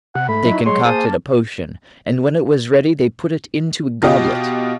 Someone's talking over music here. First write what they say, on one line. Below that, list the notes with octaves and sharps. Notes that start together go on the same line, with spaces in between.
They concocted a potion, and when it was ready they put it into a goblet.
C3 F#5
G#2 A3 B5
F#3 D#4 E4
G#3 C#5 C6
A#3 G#4 C5 A5 D#6
B2 F4 G4 D#5